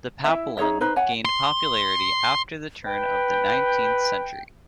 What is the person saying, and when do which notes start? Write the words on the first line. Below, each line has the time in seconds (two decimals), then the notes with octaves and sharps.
The Papillon gained popularity after the turn of the nineteenth century.
0.24 E4 E5
0.57 D#4 G#4 C#5 E5
0.81 D#4 B4 C5
0.96 C#5 F#5 G#5
1.25 C6
2.85 B4 G5